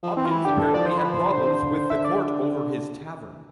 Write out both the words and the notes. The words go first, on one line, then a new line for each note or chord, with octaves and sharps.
Hopkins apparently had problems with the Court over his tavern.
F3
E3 C4
F4
E4
D3 G4
A4
F3 D5
C5
B4
F3
C5
D3 C5
C3
D3
D3 E5
D5